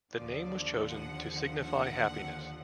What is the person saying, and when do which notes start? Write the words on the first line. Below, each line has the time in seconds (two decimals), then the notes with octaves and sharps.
The name was chosen to signify happiness.
0.12 D#2 D3 F3 D5
0.87 F#5
1.61 F#5